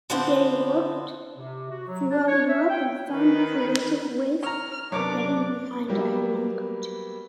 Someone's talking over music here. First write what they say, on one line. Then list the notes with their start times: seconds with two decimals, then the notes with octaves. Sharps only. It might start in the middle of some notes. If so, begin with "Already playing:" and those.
They worked throughout Europe and found creative ways of getting behind the Iron Curtain.
0.10 D3 F3 B3 C4 D4 C5
1.37 C3
1.71 F#4
1.88 F#3
2.10 D4
2.28 C#5
2.49 E5
2.70 G5
3.10 D#3 B4
4.43 C#5 A#5 F6
4.92 F#2 C3 B3 D4 A#4 C#5 D6
5.87 F#3 G3 A#3 B3